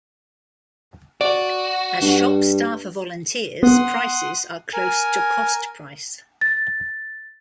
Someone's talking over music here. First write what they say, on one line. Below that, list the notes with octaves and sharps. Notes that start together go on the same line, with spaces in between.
As shop staff are volunteers prices are close to cost price.
F#4 D5
G2
B3 F#5 C6 D#6
A#4 G#5
A6